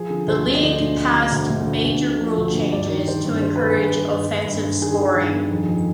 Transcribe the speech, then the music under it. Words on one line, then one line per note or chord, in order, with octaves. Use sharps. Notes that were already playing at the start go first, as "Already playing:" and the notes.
The league passed major rule changes to encourage offensive scoring.
Already playing: F3 G#4
D3
D2 C5
D2
D#5
D3 D5
D2
D2
D3
D2
D2
D2
D2
D3
F3
D2
D2
G2 D5
D#3
D#3 C5
G2
D#3 C5
G2 B4
G#4
G2
B4
G2
G2
G2
G2
G2
D#3 G#4
D#3
G2
D#3
F2
F2